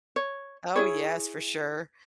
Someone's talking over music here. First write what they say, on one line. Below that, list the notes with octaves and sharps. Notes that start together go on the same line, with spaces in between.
Oh, yes, for sure.
C#5
E4 G#4 C#5